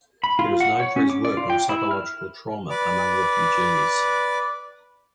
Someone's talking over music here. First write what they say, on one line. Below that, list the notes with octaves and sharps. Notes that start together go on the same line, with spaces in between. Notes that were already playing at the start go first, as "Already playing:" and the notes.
He was known for his work on psychological trauma among refugees.
B5
F4
F#5
C#5
C#4
D6
D5
F4
G5
E4
F6
B4 D5 D6